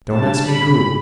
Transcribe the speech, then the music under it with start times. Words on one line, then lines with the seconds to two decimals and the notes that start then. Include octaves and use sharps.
Don't ask me who.
0.15 G3 D4 A5
0.50 B5